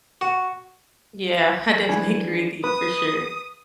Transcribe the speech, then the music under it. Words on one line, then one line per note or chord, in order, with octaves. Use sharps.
Yeah, I definitely agree with you for sure.
F#4
E3 D4 G#4
B4 D#6